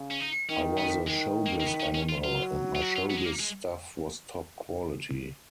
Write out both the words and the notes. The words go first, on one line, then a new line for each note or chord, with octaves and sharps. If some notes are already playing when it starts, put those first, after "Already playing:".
I was a showbiz animal, and my showbiz stuff was top quality.
Already playing: C#3
C#4
D#4
D#3 C#4
B3
D#3 G#3
A#3
A#3
B3
C#4
C#4
F4
F#3 F4
F4
F#4
F4
B3
G#3
A#3
G#3